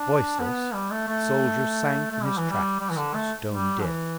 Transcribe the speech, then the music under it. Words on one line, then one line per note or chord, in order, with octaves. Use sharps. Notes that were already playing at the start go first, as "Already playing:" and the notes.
Voiceless, the soldier sank in his tracks--stone dead.
Already playing: D4
B3
G3
A3
A3
A3
G3
E3
G3
G3
E3
D3
A3
G3
E3